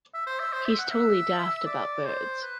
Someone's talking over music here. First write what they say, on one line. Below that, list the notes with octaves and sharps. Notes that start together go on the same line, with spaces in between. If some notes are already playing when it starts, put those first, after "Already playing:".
He's totally daft about birds.
E5
C5
E5
C5
E5
F#5
E5
D5
C5
B4